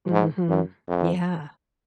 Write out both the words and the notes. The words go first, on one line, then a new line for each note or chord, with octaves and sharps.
Mhm. Yeah.
G#2
F#2
F2